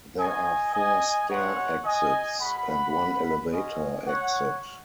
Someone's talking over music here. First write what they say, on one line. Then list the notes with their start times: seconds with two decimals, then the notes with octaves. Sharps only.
There are four stair exits and one elevator exit.
0.18 B3 F#4 D#5 G#5
0.74 D#5 G#5
1.29 G#3 D#4 F#4 C#5 F#5
1.85 D#5 G#5
2.40 G#3 C#4 F#4 F#5 B5
3.51 G#3 C#4 F#4 D#5 G#5
4.07 C#5 F#5